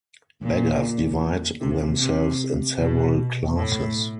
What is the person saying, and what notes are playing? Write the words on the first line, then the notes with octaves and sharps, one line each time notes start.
Beggars divide themselves in several classes.
A#2
C3
C3
B2
A2